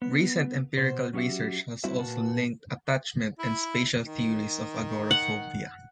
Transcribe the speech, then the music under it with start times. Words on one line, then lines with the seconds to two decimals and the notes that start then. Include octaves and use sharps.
Recent empirical research has also linked attachment and spatial theories of agoraphobia.
0.02 B3
0.77 B2 C5
1.13 F#3 C#4 F#4 G4 E5
1.84 G3 C4 E4 F#4 E5
1.99 A#2 A#3 F#4 B4 A5
3.39 E4
4.01 D#3
5.11 F#5